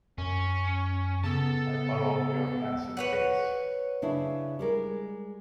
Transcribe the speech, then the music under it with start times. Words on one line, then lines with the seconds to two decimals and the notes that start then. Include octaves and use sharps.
I borrowed your pencil case.
0.18 F#2 C#4
1.24 C#3 B3 A4 A5
2.97 B4 C#5 F#5
4.02 C#3 D4 E4
4.59 G3 G#3 A#4